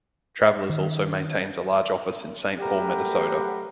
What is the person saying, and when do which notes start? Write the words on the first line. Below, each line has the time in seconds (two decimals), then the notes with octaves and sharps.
Travelers also maintains a large office in Saint Paul, Minnesota.
0.69 D#3
2.60 F#3 A3 G4 A#4 B4 F#5